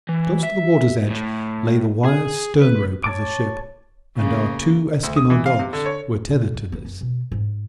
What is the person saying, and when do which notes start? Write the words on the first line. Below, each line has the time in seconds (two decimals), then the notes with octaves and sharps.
Close to the water's edge lay the wire stern rope of the ship, and our two Esquimaux dogs were tethered to this.
0.09 E3
0.43 E5
1.11 A2
2.05 G#4
2.62 B4
3.04 C#5 A5 D6
4.17 C#3 A#3
5.03 D2
5.16 D#6
5.30 E3
5.46 F5
5.59 C3
5.73 D3
5.86 C#5
6.28 B2 C#4
6.54 F2
6.72 B3
6.85 F#2
7.01 B2
7.32 G#2